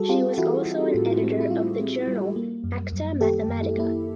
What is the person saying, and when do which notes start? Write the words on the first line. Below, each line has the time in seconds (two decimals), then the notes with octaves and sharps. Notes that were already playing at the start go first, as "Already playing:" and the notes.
She was also an editor of the journal "Acta Mathematica".
Already playing: G3 F#4 G#4 A4
0.09 C4 F4 G4
0.37 E3 E4 F#4
0.66 E3
0.94 A2
1.23 C4
1.41 E4
1.50 G3 F4
1.79 C4
2.08 G3
2.36 A#3
2.64 F#2
2.92 F#2
3.21 D#3 G4 A4
3.49 F#2
3.63 E4
3.77 A#3 E4